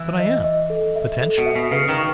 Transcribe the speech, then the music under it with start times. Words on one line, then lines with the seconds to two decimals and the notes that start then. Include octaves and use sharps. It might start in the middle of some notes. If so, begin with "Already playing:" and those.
"But I am, potentially."
Already playing: E3
0.19 D#5
0.44 D#5
0.70 A4
0.96 E5
1.21 A4
1.38 B2
1.46 E5
1.55 B2
1.72 C#3 B4
1.89 D#3
1.98 C#6